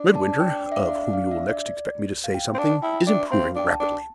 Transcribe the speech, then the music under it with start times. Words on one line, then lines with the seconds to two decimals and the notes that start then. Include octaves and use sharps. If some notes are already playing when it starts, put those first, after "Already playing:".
Midwinter, of whom you will next expect me to say something, is improving rapidly.
Already playing: D4
0.15 A5
0.40 G5
0.72 E5
0.77 F5
1.13 F5
1.31 E5
1.49 D5
1.68 D5
2.24 F5
2.34 G5
2.54 C4
2.58 D4 A5
2.83 E4 G5
3.07 D4 E5
3.31 C4 F5
3.56 D4 G5
3.67 A5
3.80 D4